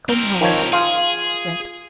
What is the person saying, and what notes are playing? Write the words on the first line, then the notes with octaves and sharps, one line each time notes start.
"Come home," he said.
C4 A#4
D#3 F3 C#5
F4 G#4